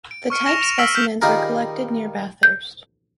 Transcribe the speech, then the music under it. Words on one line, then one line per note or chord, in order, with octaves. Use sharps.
The type specimens were collected near Bathurst.
D7
C#6 F6 C#7 D7
A#6 E7 F7
D7 E7 F7
E6 F6 B6 C7 D7 F#7
E6 F6 G6 B6
D#3 G3 D#4 F4 G#4 A#4
G6